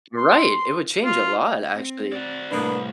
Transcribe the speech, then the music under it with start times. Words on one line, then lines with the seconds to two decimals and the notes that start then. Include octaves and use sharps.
Right. It would change a lot, actually.
0.17 C6
1.04 F4
1.74 C4
2.12 F#4 D5
2.51 C2 A2 A#3 B3 D4 B4